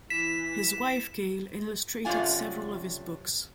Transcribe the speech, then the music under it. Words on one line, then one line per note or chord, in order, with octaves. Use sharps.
His wife Gail illustrated several of his books.
E3 B6 E7
F#2 C3 A3 D4 F4 G#5